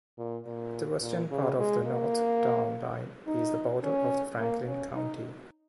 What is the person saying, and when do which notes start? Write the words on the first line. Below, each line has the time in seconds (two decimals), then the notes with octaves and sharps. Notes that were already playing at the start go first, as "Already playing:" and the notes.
The western part of the north town line is the border of Franklin County.
0.18 A#2
0.47 A#2
1.02 A#2
1.31 C#3
1.59 G#3
1.87 A#3
3.27 D#4
3.83 C#4
4.39 A#3
4.68 C#4
4.96 D#4